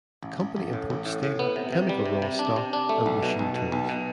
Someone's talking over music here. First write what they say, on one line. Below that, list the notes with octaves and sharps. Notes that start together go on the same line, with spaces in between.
The company imports steel, chemical raw stock, and machine tools.
A1
A1
A1
A2
A1
A2
A2
B3
C3
C3
G3
C3
C3
D4
C3
D4
A3
B1
B2
B1
B2
B1
B2